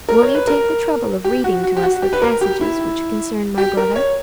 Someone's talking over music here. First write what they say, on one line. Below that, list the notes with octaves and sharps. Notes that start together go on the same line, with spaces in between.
"Will you take the trouble of reading to us the passages which concern my brother?"
A#4
C#5
B4
A#4
G4
F#4
F#4
G4
F#4
G4
B4
A#4
G4
E4
G4
A#4
C#5